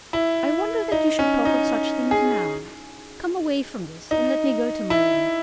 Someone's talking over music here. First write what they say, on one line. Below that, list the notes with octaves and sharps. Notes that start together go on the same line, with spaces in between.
I wonder that you should talk of such things now. Come away from this, and let me go to my room.
E4
D#4
C#4
D#4
G#4
D#4
E4